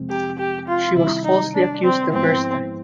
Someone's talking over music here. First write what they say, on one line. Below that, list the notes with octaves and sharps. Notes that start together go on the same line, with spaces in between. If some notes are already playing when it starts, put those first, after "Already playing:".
She was falsely accused the first time.
Already playing: F2 C3 F3 G#3 C4
G4
G4
F4
C3 D#3 G3 E4
D#4
D4
C4
G#2 F3 G#3 B3 C4 E4